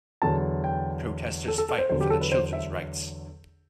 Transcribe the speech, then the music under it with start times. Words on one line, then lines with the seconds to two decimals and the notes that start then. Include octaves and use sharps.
Protesters fight for the children 's rights.
0.22 E2 D3 F#3 A5
0.64 G5
1.48 A4
1.58 A4
1.69 A4
1.79 C5
1.90 E2 D3 F#3 C5
2.01 G4
2.10 A4
2.21 B4
2.32 C5
2.53 E5